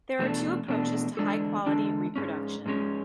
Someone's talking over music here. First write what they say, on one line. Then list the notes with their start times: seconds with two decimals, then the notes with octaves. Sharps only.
There are two approaches to high-quality reproduction.
0.19 E2 B2 A3 D4
0.68 E2 B2 A3 D4
1.17 E2 D3 G#3 D4 A4
1.66 E2 D3 G#3 D4 A4
2.16 G#2 G#3 C#4
2.66 G#2 G#3 C#4